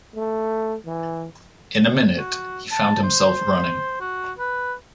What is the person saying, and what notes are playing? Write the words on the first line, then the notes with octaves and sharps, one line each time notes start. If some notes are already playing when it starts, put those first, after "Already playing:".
In a minute he found himself running.
A3
E3
F#4
A5
C5
F#4
B4